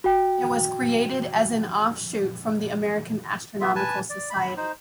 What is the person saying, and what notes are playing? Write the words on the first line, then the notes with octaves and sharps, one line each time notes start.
It was created as an offshoot from the American Astronomical Society.
F#4 G5
B3 F4 E5
B4 G#5 A5
D5
B5
D#4 C5